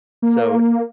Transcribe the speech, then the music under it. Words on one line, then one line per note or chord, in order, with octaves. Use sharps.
So i
A#3